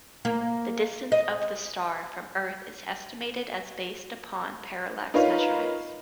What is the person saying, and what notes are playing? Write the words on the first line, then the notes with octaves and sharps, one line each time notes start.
The distance of this star from Earth is estimated as based upon parallax measurements.
A#3
D#5
D#4 F4 A#4 B4 C#5 F5